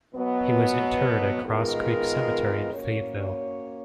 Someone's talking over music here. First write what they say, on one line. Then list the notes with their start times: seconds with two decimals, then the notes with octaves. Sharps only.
He was interred at Cross Creek Cemetery in Fayetteville.
0.13 B2 F#3 B3
1.42 D#3 G#3 B3 F4 A#4
2.73 A#3 C#4 F#4 C#5